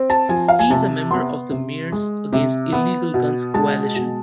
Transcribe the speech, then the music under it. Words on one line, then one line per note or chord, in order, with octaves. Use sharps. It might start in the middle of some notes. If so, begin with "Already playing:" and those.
He is a member of the Mayors Against Illegal Guns Coalition.
Already playing: C4
A5
F3 G#5
F5
G#5
C3 A5
B3 C6
C3
G#3
C3
B3
B2
G#3 A5
B2